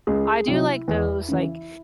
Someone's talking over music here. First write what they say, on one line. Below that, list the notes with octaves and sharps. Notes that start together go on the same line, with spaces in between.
I do like those, like,
C#2 G#4
C3 F#3 E4
E2
C#3 E3